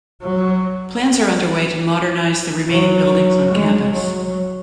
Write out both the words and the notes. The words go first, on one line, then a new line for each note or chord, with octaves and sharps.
Plans are underway to modernise the remaining buildings on campus.
F#3
F#3
G#3
F#3